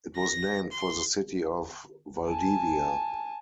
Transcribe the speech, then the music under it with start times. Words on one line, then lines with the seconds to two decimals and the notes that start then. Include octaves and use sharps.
It was named for the city of Valdivia.
0.16 A#6
0.72 C6
2.29 G#5 A5